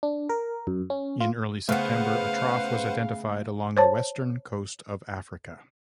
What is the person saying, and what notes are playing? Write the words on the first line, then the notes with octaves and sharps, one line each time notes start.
In early September, a trough was identified along the western coast of Africa.
D4
A#4
F#2
C#4
F4
C#3 A3 B3 B4 C5 F5 F#5
C5 C#5 A5